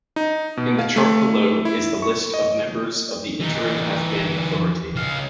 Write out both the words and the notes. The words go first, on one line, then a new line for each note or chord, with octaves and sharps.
In the chart below is the list of members of the Interim Afghan authority.
D#4
B2
F5
A3
E4
C#6
D#5
E3 D#4
C#2 F5